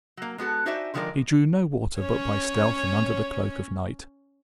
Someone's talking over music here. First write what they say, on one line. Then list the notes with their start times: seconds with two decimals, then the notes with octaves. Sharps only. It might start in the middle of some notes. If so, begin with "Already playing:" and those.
He drew no water but by stealth and under the cloak of night.
0.17 F#3 A#3
0.38 G#3 B3 F#4 A4
0.66 D#4 F#4 C5 D5 E5 G#5
0.94 D3 D#3 F3 G#3 A#4 D5
1.99 C#4 C#5